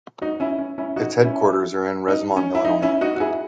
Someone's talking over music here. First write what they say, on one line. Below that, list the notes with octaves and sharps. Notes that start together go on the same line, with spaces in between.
Its headquarters are in Rosemont, Illinois.
D#4 F#4
C#4 E4
C#4
C#4 E4
D#4 F#4
C#4 E4
D#4
C#4
E4
D#4
C#4 E4
D#4 F#4
F#4
E4 G#4